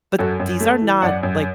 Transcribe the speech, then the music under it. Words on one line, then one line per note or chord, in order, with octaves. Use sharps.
but these are not, like"
F#2 F#4 A4
F#2
A3
E3
F#2 D5 F#5
F#2